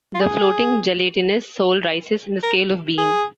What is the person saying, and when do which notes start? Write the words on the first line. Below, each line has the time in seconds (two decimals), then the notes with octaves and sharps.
The floating gelatinous soul rises in the scale of being.
0.14 F4
0.20 G#4
2.43 A#4
2.98 G#4